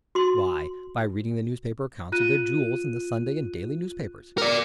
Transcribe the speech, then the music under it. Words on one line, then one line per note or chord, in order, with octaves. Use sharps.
Why, by reading the newspaper accounts of their jewels in the Sunday and daily newspapers.
F#4 C6
F4 F#6 D#7
A#4 D5